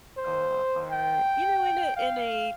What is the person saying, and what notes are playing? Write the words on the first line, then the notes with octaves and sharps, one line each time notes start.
uh, are, you know, in a, in a
C5
G5
F5